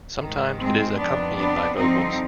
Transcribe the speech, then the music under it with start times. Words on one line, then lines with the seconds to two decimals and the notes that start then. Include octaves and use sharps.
Sometimes it is accompanied by vocals.
0.18 G#2 D#3
0.57 G#3 C4
0.97 F2 D#3 B3 D4
1.36 B3 D4
1.75 G2 D3 F3 C4 D#4